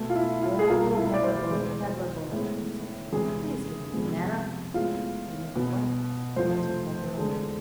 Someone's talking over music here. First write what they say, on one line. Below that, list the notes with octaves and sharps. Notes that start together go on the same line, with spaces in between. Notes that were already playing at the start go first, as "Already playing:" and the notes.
"O, peddler boy, peddler boy," he said to him, "please give me a banana." The image of wax answered never a word.
Already playing: B2 A3
F4
E4
F4
G#4
C2 B2 A3 F4
E4
D5
C5
E2 B2 G#3 B3
A2 G#3 B3
E2 C3 E3 G#3 G#4
F2 C3 G#3 B3
A2 G#3 B3 F4
B2 B3
F2 C3 F3 A3 C5
E2 D3 G#3